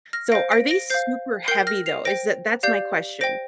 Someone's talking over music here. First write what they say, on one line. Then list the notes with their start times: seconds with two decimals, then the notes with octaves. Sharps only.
So, are they super heavy though? Is th that's my question.
0.13 F6 A#6
0.32 C5 F5 A#6 D7
0.51 A#6 D7
0.71 A#6 D7
0.90 C5 F5 G6 C7
1.48 A#4 G5 G6 C7
1.67 F6 A#6
1.86 C7 F7
2.05 C5 G5 A#6 D7
2.63 G4 D5 F5 G6 C7
3.21 C5 G5 A#6 D7